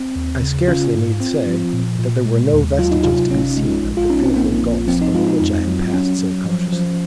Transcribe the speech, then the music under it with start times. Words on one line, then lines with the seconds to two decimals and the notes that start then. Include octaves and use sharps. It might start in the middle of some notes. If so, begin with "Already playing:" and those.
I scarcely need say that there were no vestiges to be seen of the fearful gulfs over which I had passed so cautiously.
Already playing: C4
0.16 D#2
0.41 C#3
0.68 C#4 F4
0.94 G#2
1.21 C4
1.47 F3
1.73 A#2
1.99 A#2
2.25 G#3
2.52 D#2
2.78 F#3 F4
2.91 D#4
3.03 C3 F4
3.30 G#1 C#4
3.57 G#3
3.83 A#1
3.97 F4
4.10 C#4 D#4
4.23 C4
4.36 A#1 A#3
4.62 A#1
4.88 F3 C4
5.01 D#4
5.15 G#3 F4
5.28 D#4
5.41 F2
5.67 F#3
5.93 F#3 C#4
6.19 F#3
6.46 F3
6.72 F3